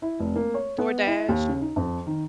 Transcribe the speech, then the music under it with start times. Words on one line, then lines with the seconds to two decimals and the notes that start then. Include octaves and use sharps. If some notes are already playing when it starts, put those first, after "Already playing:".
DoorDash an
0.02 E4
0.20 F1
0.36 A#3
0.54 C#5
0.78 B3
1.07 E4
1.29 D#2
1.49 C#3
1.61 D#4
1.76 F2
2.06 D#3